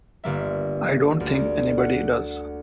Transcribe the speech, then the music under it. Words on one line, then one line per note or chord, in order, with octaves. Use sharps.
I don't think anybody does.
G1 A#3 E5
D2
F#5